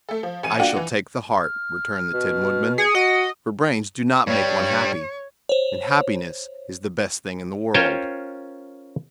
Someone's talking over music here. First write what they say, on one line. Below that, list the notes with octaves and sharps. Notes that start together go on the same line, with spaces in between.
"I shall take the heart," returned the Tin Woodman; "for brains do not make one happy, and happiness is the best thing in the world."
A3 A4
F3
A1 G#5 D#7
A#3 D4 F4 F#4 F#5 G5
E3
F6
B2
G#4 C#7
F#4 D#5
G2 G3 C#5
C5 C#5
C#4 F4 A#4 C5 C#5 G5